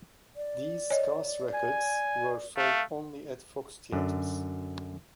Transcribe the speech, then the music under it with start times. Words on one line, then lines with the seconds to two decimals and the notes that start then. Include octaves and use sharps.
These scarce records were sold only at Fox Theaters.
0.36 D5
0.91 C#5 D#5
1.54 G#5
2.57 A3 F5
3.92 F#2 D3